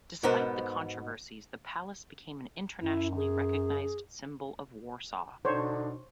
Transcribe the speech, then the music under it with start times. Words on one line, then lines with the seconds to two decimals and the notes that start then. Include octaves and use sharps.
Despite the controversies, the Palace became an internationally recognized symbol of Warsaw.
0.24 G#2 B2 B3 A#4 C5
2.82 F#2 E4
3.16 G#4
5.45 B2 D3 D4 D#4 C5 C#5